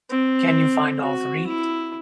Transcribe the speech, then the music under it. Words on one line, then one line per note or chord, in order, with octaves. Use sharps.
Can you find all three?
C4
F#4
E4